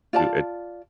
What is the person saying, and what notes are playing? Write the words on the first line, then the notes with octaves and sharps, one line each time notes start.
to ach
F4 D5 A5